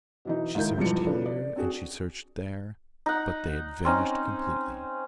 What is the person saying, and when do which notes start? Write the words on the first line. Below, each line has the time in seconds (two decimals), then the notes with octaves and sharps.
She searched here and she searched there, but they had vanished completely!
0.25 B2 E3 D#4
0.55 C#2 D#3 D#4 E4 A#4 G6
0.78 E1 E2 G2 F3 C#7
1.06 C#3 D4 F4 A4 B4
1.26 D5
1.56 C4 D4 F#4 G#4
3.06 D#4 F#5
3.85 C4 C#4 D#4